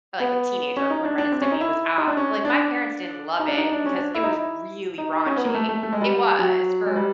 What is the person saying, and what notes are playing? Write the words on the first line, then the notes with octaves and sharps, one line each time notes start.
like, a teenager when Ren and Stimpy was off, like, my parents didn't love it because it was really raunchy. It was for,
B3
C#4
D#4
D4
D4
C4
C#4
D#4
E4
D#4
D4
C#4
D4
D#4
D4
D#4
D4
C#4
D4
E4
D#4
E4
D#4
D#4
C#4
B3
A#3
A3
A3
A3
G#3
G3
F#3
G#3
G3